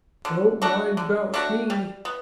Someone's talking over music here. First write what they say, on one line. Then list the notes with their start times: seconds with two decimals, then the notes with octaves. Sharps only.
Don't mind about me.
0.25 D3
0.62 A3 D4 F#4
0.97 D3
1.34 A3 D4 F#4
1.70 G3
2.05 B3